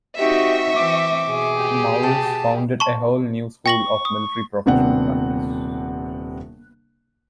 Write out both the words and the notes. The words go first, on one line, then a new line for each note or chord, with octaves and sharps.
Maurice founded a whole new school of military professional practice.
C4 D#4 F#4 G4 E5 C#6
E3 C4 D6
B2 G#4
G4
A5
A5 C6 C#6
G5 C#6 A#6 F#7
D#6
D#1 C3 B3 C4 D4 F#5